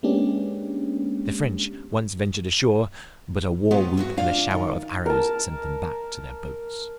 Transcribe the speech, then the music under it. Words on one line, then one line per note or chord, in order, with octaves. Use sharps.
The French once ventured ashore; but a war-whoop and a shower of arrows sent them back to their boats.
G#3 A#3 B3 C#4 D4 G4
F#3 B3 F4 G4 G#4 C#5
E2 G2 F#4
D4 F4 D5 F5
D#3
A#4 A5